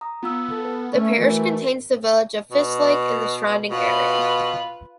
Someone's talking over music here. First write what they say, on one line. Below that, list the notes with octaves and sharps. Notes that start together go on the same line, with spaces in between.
The parish contains the village of Fishlake and the surrounding area.
A#5 D#6
B3 F4 E6
A4
B4
A3 C#4
E3 A3 F#4 A#4
B2
B2 F4 B4